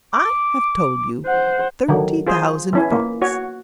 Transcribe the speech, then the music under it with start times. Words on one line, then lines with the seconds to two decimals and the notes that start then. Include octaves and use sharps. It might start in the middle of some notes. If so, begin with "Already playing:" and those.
"I have told you: thirty thousand francs."
0.13 D6
1.26 C5 F#5
1.88 D3 D#3 F#3
2.27 F4 G#4 C5
2.73 E3 C#4 E4
2.91 A#3
3.22 F#4 C#5